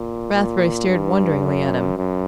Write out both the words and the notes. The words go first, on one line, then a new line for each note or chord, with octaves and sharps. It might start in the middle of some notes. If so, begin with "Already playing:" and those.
Rathbury stared wonderingly at him.
Already playing: A#2
A#2
G2
F#2
F#2